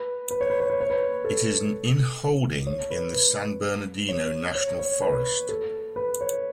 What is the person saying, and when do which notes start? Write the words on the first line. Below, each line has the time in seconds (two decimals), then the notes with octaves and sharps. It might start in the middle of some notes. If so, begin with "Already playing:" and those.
It is an inholding in the San Bernardino National Forest.
Already playing: B4
0.31 B4
0.41 C#5
0.50 B4
0.60 C#5
0.70 B4
0.80 C#5
0.90 B4
1.25 A4
2.67 C#5
2.90 B4
3.13 B4
4.08 C#5
4.55 C#5
4.79 C#5
5.02 B4
5.49 A4
5.96 B4
6.21 C#5